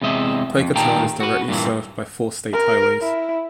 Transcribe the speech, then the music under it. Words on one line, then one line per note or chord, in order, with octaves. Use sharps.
Quakertown is directly served by four state highways.
E2 C3 G#3 D#5 E5
F2
A#2 D#3 G4 G5 A5 A#5
F#4 B4
G2 A#2 E3
A#4
E4